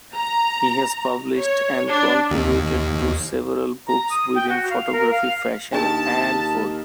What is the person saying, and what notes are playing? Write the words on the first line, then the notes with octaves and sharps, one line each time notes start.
He has published and contributed to several books within photography, fashion, and food.
A#5
C#5
D4
D#2
A#5
D#6
G5
F#4
F5
A#4
F5
D#2 D4 G#4 A5